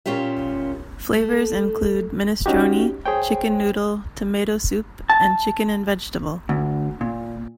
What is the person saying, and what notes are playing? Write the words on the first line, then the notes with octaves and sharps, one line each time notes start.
Flavours include minestrone, chicken noodle, tomato soup and chicken and vegetable.
A#2 C#4 F4 G4 E5
A3
C#4 D#4 F#4 G4
G#4 C5 C#5 G5
A5
D2
A#2